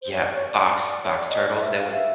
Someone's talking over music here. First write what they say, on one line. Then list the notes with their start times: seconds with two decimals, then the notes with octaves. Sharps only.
Yeah, box box turtles that would
0.02 C5
0.12 C#5
0.23 D5
0.34 C#5
0.50 D5
1.04 C#5
1.17 D5
1.29 D#5
1.39 C#5
1.45 D5
1.53 D#5
1.61 E5
1.76 F5
1.93 E5